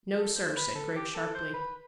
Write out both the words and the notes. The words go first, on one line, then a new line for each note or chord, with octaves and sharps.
"No, sir," said Griggs sharply.
A4
C5
B4
A4
G4
A4
C5
B4